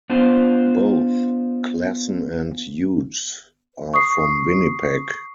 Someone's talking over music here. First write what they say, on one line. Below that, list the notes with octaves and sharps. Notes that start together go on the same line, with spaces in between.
Both Klassen and Hughes are from Winnipeg.
B3 D4 F4 C5
C#6 D#6 C7